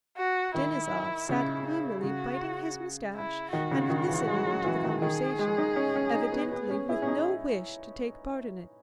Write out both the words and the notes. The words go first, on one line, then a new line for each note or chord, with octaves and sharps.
Denisov sat gloomily biting his mustache and listening to the conversation, evidently with no wish to take part in it.
F#4
D#3 E4
C#3 E4
E4
C#3 F#4
E4
D#3 F#4
C#3
D#3
E3
G#3
F#3
E3
D#3
D#3 G#4
G#3
D#4
C#4
C#4
D#4
B3
B3 G#4
C#4
E4 G#4
C#4
D#4